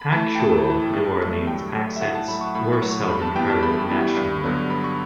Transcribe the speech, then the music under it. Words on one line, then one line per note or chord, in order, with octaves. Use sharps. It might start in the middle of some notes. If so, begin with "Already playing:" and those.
Actual New Orleans accents were seldom heard nationally.
Already playing: B5
E3 A3 A5
G5
A2 A5
E3 A3
G2
F#3 A3
G2 G5
F#3 A3
E5
A2 F#5
A5
F#3 A3 B5
C#6
A2 B5
C#6
F#3 A3
C#6
G2 B5
A5
E3 G3 B3 G5
A5
G2 B5
E3 G3 B3
G2
D3 F#3 B3
G2 B5
C#6